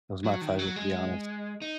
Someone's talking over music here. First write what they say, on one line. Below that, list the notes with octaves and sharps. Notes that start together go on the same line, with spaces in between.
it was my pleasure, to be honest.
F#3
D#3
F#3
G#3
D#4